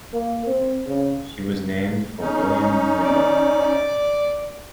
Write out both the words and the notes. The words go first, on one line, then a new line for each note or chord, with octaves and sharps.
She was named for William Windom.
A#3
C4
C#3
C#4 D#4
D5 D6